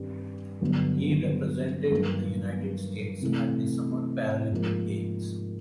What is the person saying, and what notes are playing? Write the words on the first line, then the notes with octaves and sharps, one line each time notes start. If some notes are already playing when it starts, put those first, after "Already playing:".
He represented the United States at the Summer Paralympic Games.
Already playing: G2 D#3 G3 C4
G2 D3 F#3 B3
G2 D#3 F#3 A#3
C3 E3 A3
G#2 F3 A#3